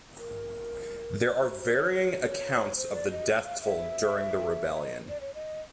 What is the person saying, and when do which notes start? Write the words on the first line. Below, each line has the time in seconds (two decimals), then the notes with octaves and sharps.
There are varying accounts of the death toll during the rebellion.
0.18 A#4
1.21 B4
1.38 C5
1.57 C5
1.73 C#5
2.25 C#5
2.77 C5
2.93 D5
3.11 D#5
3.45 F5
3.61 E5
4.83 D#5
5.09 D5
5.21 C#5
5.34 D#5